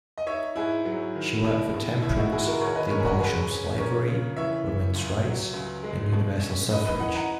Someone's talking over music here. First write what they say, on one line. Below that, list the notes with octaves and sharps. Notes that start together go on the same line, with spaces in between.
She worked for temperance, the abolition of slavery, women's rights and universal suffrage.
D#5
D#4 C#5 E5
G#2 E4 G#4
F#3
D#3
B2 E4
B2
D#2 E4
D#4 F#4
G#3 E4 G#4
F#4 A#4
D#2 A#4 C#5
B4 D#5
C#4 A#4 C#5
G#4
F#4 A#4
C#2 G#4 B4
C#4
C#4 A#4 C#5
C#3
E3 C#5 E5
E3
C#2
F#3
C#2
G#3
B2
C#4
D#4 B4 D#5
B4 D#5
E3 D#5 F#5
F#5 A#5